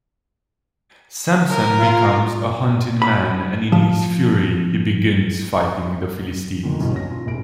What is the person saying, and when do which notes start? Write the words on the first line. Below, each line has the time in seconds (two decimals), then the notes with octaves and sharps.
Samson becomes a hunted man and in his fury he begins fighting the Philistines.
1.49 A#4
1.79 F4
3.02 B5
3.72 F3
6.63 A#2 D3 D#3
6.80 B1 E2 G2 B2 E3
6.92 C#4 A#6
7.11 F4
7.26 E1 A1 E4 D7